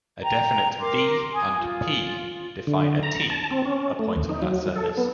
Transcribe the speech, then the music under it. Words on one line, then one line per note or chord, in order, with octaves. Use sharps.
A definite "V" and "P" define a "T", a point on that surface.
G5 A#5
A#4 C6 D6
G#5 D#6
F4
D3
A#5
A5
C4
C#4
A3
D#2
D#4
F#3
A4
B3